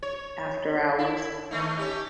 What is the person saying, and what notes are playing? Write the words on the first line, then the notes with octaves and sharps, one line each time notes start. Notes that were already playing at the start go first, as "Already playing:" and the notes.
after hours.
C#5
E4
D#3 A3 D#4
C#4 G4